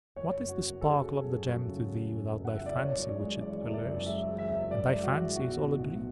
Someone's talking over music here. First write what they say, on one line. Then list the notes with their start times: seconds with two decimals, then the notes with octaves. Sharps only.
What is the sparkle of the gem to thee without thy fancy which it allures, and thy fancy is all a dream.
0.16 F#1 C#5
0.38 F#2
0.49 F#4
0.60 F#1
0.81 C#3 A4
0.90 G#4
0.97 F#4
1.03 F#1 G#4
1.24 F#2
1.46 F#1 F#4
1.68 C#3
1.89 F#1
2.11 F#2
2.33 F#1
2.45 F#5
2.55 C#3 E5
2.66 D5
2.76 F#1 C#5
2.98 F#2
3.09 D5
3.19 G#3
3.41 E3 D5
3.63 F#1
3.74 D5
3.85 F#2
4.06 G#3 E5
4.28 E3
4.38 E5
4.49 F#1
4.70 F#2 D5
4.92 G#3
5.03 F#4
5.14 E3
5.35 B1 F#4
5.58 A2
5.79 B1